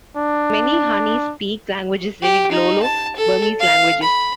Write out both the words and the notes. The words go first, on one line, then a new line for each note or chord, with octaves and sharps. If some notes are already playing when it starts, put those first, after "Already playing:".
Many Hani speak languages related Lolo-Burmese languages.
D4
G4
D#4
A5
A4
F5
B5